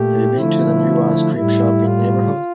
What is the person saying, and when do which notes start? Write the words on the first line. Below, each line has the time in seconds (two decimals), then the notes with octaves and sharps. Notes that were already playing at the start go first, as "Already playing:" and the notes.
Have you been to the new ice cream shop in neighborhood?
Already playing: A#2 A3 G4
0.35 D3 F3 A3 E4
1.33 A2 G3 E4
1.82 F4